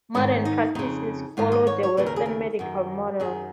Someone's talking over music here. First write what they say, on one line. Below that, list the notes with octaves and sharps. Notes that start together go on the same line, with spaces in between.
Modern practices follow the Western medical model.
G#2 D#3 C#4
D#4
F2 C#3 D#4
G#2 D#3 F4
D#5
C#5
C#5
D#2 C#3 B4
A#4
G#4
A#4
F#2 D#3
F#2 D#3 G#4